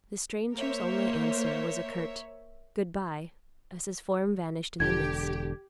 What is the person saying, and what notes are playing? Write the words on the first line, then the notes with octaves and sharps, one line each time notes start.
The stranger's only answer was a curt "Good-by," as his form vanished in the mist.
A#3 A#4 C5 C#5 E5
E1 D3 G4 G#6